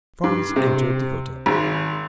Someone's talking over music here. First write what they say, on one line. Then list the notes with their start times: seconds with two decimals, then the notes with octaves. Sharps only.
Franz entered the hotel.
0.24 G2
0.56 C3
1.46 G#1